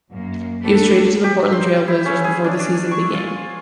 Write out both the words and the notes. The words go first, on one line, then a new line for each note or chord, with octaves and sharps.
He was traded to the Portland Trail Blazers before the season began.
F#2 A#3
A3 D4 G4 A4 B4
G4
C6
E4
C#4
G#4
D4
D4
C#6
F4